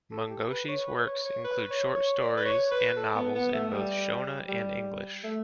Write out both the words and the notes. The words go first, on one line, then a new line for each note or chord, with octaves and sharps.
Mungoshi's works include short stories and novels in both Shona and English.
A4
G4
B4
C#5
B4
C#5
C#5
B4
C#5
C#5
D5
B4
C#5
B4
A4
B3
B3
A3
G3
G3
A3